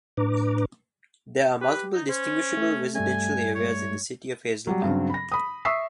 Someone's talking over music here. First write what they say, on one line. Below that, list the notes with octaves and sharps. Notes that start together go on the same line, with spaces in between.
There are multiple distinguishable residential areas in the city of Hazel Park.
A2 D4 B4 A#5 D6
G4 B4
D#4
C#4 C5
A3
G2 G3 A3 G#5
C#5
F#3 G3
G2 C#3 F#3 C4
B5 A#6
B5 D#6
E5 C#6 D#6 E6 B6 C7